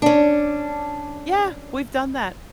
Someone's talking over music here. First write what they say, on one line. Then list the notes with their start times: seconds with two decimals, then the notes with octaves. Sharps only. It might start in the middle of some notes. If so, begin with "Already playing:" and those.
Yeah, we've done that.
0.02 C#4 D4